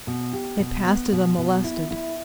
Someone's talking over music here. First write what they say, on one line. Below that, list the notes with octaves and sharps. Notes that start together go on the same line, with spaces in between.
They passed it unmolested.
B2
G4
B2
B3
B2
B2
E4
E4